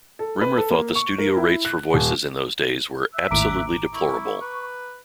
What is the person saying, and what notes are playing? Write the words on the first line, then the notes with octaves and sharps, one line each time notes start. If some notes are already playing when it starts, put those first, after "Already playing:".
Rimmer thought the studio rates for voices in those days were "absolutely deplorable".
A4
B4
A4
A#3
C#6
A#4
E4
F#6
D#1
E5 E6 F#6
G#1 D#2 A2 A#5 D6 D7
E4 C#6
B4